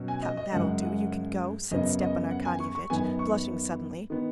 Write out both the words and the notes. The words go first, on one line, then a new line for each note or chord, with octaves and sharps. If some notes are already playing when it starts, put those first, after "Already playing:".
"Come, that'll do, you can go," said Stepan Arkadyevitch, blushing suddenly.
Already playing: B2 F#3 C#4
G#5
D#5
D#5
F#2 C#3 G#3 F#5
F#5
F#2 C#3 B3 D#5
D#5
F#5
G#5
C#6
C#6
F#2 D#3 B3 G#5
C#6
D#3 B3